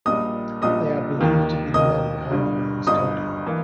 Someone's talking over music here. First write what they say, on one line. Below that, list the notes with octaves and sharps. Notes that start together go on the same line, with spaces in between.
They are believed to be the men behind the worm's coding.
A#1 A#2 G3 D#5 D#6
A#1 A#2 G3 D#5 D#6
D#2 D#3 A#3
D#2 D#3 A#3 D#5 D#6
G1 G2 G3
G1 G2 G3 D#5 D#6
E3 A#3